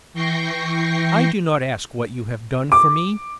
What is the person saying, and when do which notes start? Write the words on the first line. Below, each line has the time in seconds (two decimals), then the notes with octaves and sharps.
I do not ask what you have done for me.
0.14 E3 G5 C#6 G6 A#6 C7
2.72 D6